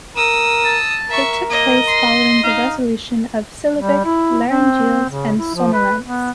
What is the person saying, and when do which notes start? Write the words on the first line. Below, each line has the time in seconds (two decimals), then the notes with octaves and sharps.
It took place following the resolution of syllabic laryngeals and sonorants.
0.16 A#4 D#6 E6
0.65 A5
1.10 A#4 E5 C#6
1.51 A#3 D#5
1.88 C6
2.44 D#4 F5
3.78 G3
4.05 E4
4.47 C4
5.09 C#3
5.38 E4
5.54 F3
5.73 B4
6.04 B3